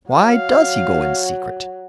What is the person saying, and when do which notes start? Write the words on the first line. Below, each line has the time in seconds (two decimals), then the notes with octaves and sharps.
Why does he go in secret?
0.10 F#3 F5